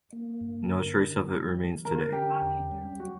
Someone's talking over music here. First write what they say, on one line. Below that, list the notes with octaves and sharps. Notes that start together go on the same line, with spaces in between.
No trace of it remains today.
A#3
G2
D3 A#4
D3
G3
E3
D3 A#4
C#4 G4
E2
G3
F#3 F#4